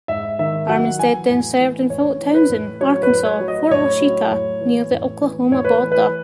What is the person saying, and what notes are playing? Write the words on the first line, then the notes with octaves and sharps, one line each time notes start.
Armistead then served in Fort Towson, Arkansas, Fort Washita near the Oklahoma border.
G#2 E5
D#3 E5
F#3 F#5
E3 G#5
A2
E3
A2 C#5
E3
B4
A2
F#3 C#5
B4
A2
C#5
F#3
D#5
A2 C#5
F#3
A2
E3
A2
E3
A2 C#5
B4
E3
B4